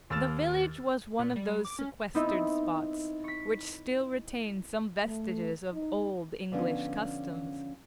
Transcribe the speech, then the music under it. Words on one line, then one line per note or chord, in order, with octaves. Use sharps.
The village was one of those sequestered spots which still retain some vestiges of old English customs.
D#2 E6 F6 A6 E7
A#2
G3
D6
C#4
B3 C4 D#4 E4 D#5
C#6 B6
A3
D#4
D3 F3 B3 C#4 D4